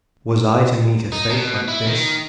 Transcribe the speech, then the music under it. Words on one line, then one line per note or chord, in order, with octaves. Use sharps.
Was I to meet a fate like this?
D#4
B2
E4
D#3